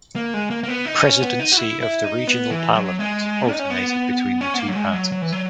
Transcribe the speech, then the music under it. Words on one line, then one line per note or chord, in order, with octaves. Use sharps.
Presidency of the regional parliament alternated between the two parties.
A#3
G#3
A#3
A#3
B3
D#4
C#4
B3
D#4
F#4
E4
E4
D#4
B3
E3
F#3
G#3
D#4
C#4
B3
C#4
B3
A#3
F#3
G#3
F#3
F#3
E3
F#3